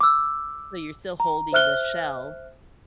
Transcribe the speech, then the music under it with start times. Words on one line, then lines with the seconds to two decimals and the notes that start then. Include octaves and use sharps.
So, you're still holding the shell,
0.01 D6 E6
1.20 A#5
1.53 C5 E5 F6 F#6 G7